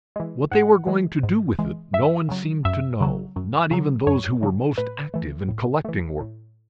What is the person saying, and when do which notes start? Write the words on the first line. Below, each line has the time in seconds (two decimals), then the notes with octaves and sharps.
What they were going to do with it no one seemed to know, not even those who were most active in collecting work.
0.16 E3 G#3
0.51 G#2 F#5
0.87 E3 G#3
1.23 G#2
1.59 E3 G#3
1.93 F#2 E5
2.29 C#3 F#3
2.65 F#2 E5
3.01 C#3 F#3
3.36 F#2
3.71 C#3 F#3
4.07 F#2 C#5
4.43 C#3 F#3
4.78 A2 B4
5.14 E3 A3
5.48 A2
5.85 E3 A3
6.20 A2